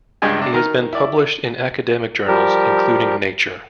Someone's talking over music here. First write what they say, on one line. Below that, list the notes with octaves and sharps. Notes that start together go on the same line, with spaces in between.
He has been published in academic journals including "Nature".
C#2 G2 G#3 D4 G4 G#5
C3 D4
D#3 A#5 F6
E4 D5
F3 G3 G4 A#4